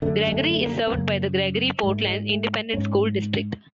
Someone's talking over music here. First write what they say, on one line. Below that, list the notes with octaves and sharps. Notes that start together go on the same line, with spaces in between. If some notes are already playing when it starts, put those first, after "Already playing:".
Gregory is served by the Gregory-Portland Independent School District.
F#2 D3 A3
G#3
A3
A3
A#3
B3
F#2 C#3 A#3
G#2 G#3
A3
G#3
A3
G#2 C#4